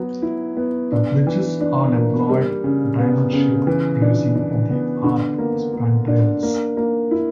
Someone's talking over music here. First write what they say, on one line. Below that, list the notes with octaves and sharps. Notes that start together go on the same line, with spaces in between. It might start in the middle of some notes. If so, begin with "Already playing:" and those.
The bridges all employed diamond-shaped bracing in the arch spandrels.
Already playing: F#3 B3
E4
B3
D4
E3
D4
A#3
G3
C#3
B3
C#3
E3
D4
D4
B3
D3
A#3
A#3
D4
A#3
A#3
E4